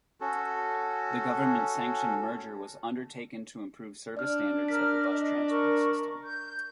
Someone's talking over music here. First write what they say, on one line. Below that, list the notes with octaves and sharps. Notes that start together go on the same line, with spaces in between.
The government-sanctioned merger was undertaken to improve service standards of the bus transport system.
C#4 F#4 A4
D4 D5 F6
A#4 F6 B6
D#5
A#4 C#6
G6